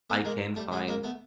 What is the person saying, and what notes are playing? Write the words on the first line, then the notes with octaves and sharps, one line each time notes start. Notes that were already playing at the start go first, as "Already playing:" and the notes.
I can find
A3 B3
G#3 A#3
G3 A3
F#3 G#3
G#3 A#3
A3 B3